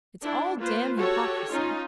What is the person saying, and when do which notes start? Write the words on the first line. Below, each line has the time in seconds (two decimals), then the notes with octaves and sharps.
It's all damned hypocrisy.
0.22 D4 E4
0.59 A#3 F4 B4 C5
0.96 F#4 G4 A4 C#5
1.50 C#4 D#4 F4